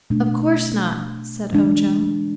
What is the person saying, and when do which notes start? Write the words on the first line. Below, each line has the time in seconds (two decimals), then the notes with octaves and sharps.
"Of course not," said Ojo.
0.10 B2 A3 D4
1.53 E3 G#3 D4